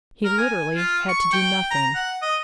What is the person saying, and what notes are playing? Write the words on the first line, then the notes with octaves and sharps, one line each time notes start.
He literally had to do nothing.
A#4
G#5
F4
C#6
G5
A#5
F#5
D#5